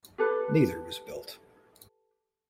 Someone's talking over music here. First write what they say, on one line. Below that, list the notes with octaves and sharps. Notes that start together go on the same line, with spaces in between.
Neither was built.
G4 A4 B4